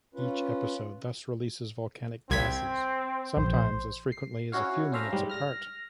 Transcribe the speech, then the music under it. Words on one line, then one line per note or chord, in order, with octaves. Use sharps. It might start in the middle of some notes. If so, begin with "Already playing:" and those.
Each episode thus releases volcanic gases, sometimes as frequently as a few minutes apart.
C#4 F4 B4
C2 C4 G#6 B6
A#1 C5
C7
C#4 E4 F#4 C#5 F5
C#4 D4 C5 E5 F5 A#5
G#2 G3
F6 A#6